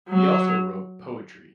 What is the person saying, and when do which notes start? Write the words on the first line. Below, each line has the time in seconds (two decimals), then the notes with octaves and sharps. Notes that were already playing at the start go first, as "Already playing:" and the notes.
He also wrote poetry.
0.09 F#3